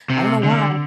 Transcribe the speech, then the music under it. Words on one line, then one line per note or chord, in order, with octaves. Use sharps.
I don't know why,
C3
D3